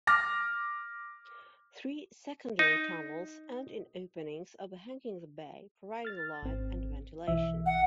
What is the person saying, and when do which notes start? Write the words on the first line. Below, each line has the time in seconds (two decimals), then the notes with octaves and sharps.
Three secondary tunnels end in openings overhanging the bay, providing light and ventilation.
0.07 D6 F6 A#6
2.59 D#4
6.05 F6 A6
6.43 G#1 C4
7.27 B1 E3 E5
7.66 F#5